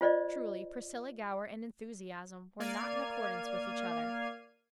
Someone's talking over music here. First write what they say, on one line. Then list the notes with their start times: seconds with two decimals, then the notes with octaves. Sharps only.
Truly, Priscilla Gower and enthusiasm were not in accordance with each other.
0.01 F4 C5 D5 D#5
2.60 A#3 D5 F6 G#6 C7 D#7